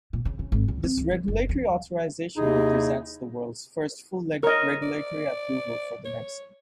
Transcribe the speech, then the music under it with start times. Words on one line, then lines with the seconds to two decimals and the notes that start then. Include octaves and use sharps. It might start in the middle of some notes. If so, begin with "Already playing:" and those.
This regulatory authorization represents the world's first full regulatory approval for the medicine.
0.13 A#2
0.25 C#3
0.39 C#3
0.52 G#1
0.68 C#2
0.83 C4
0.97 C#2
1.11 D3
1.28 F#1
1.49 E2
2.37 D#2 C3 D#4 E4 G#4 D#5
4.43 A#4 C#5 D#5
4.83 D5
6.05 C#5